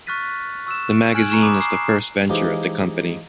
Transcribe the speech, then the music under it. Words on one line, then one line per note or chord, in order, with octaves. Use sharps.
The magazine is the first venture of the company.
C#6 F6 F#6 A6 B6 D#7
C#6 E6 F#6 E7
G#5 F6 F#6 G#6 D7 F#7
A#5 C#6 E7
B5 D6 D#6
D6 C7
E3 F3 G#3 D#4 G4